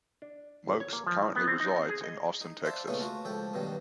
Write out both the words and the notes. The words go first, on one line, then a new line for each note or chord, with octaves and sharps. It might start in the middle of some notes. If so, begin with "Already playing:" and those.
Moakes currently resides in Austin, Texas.
D4
G1
C#5
A#3
F3
E4
B3
C4
D#4
C4
G#4
D#5
D#4
C5 D5 E5 F5 A5 C6
A#2 C#3 A3 B3 C#4 D#4
A3 F4 F#4
C#2 F3 A3 A4 G5
G2 B2 D#3 F#3 G3